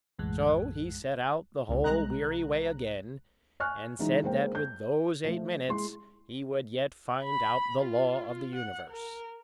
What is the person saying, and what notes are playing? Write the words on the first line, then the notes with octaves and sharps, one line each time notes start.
So he set out the whole weary way again, and said that with those eight minutes he would yet find out the law of the universe.
B1 F#2 A2 E3 G#3 F#6
C#2
C2 G#3 A#5 F#6
G#5 C#6 F6 F#6
E3 F#3 G#3 D#4
G#3 A#3 C5 G5
G6
F3 A3
G#3 E4 C6
B5
F4
F#5
A#4